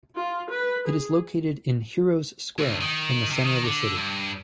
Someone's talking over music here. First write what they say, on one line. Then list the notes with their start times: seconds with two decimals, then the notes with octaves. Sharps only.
It is located in Heroes' Square in the center of the city.
0.16 F4
0.50 B4
0.88 G#4
2.59 D2
2.81 D#3
3.30 C3
3.44 D#3
3.64 D3
3.96 G2